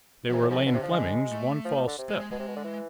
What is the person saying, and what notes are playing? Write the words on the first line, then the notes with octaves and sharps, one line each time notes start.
They were Lane Fleming's one false step.
B2 F3
C3 E3
A2
G#2 F3
A2
B2 D3
C3
F3
G#3
A3
F3
F3
D3
C3
G#3
G#3
B2 G#3
C3
B2
D3
E3